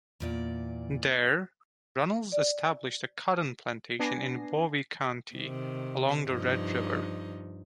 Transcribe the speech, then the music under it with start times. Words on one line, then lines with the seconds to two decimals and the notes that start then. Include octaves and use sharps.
There Runnels established a cotton plantation in Bowie County along the Red River.
0.20 E2 A#2 D5
2.32 D5
3.99 B3 D4 G#5 A#6 C7
5.36 C3 D#3
6.28 G2 F3 D#4